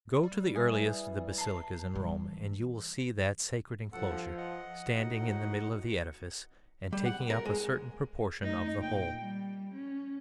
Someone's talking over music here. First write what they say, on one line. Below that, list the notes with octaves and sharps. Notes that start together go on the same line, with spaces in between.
Go to the earliest of the basilicas in Rome, and you will see that sacred enclosure standing in the middle of the edifice and taking up a certain proportion of the whole.
G3
E3 G#4
A5 A#5 C7
E3 G3
G2 F3 A4 F#5
D#5 F#5
A2 D#4 F#4
G3
F#5
A#4
G#3
A3 D#4
A#2 G5
G3
C#4